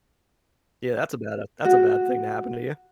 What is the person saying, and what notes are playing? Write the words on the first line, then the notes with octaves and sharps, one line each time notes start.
Yeah, that's a bad that's a bad thing to happen to you.
F#4